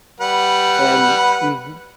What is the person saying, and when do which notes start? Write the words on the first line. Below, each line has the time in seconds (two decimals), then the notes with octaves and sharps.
And mhm.
0.20 G3 B4 F#5